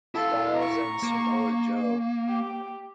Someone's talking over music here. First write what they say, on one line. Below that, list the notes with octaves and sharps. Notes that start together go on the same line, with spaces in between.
Styles and Samoa Joe.
E4 A4 F5
A#5 C#6
A#3
G4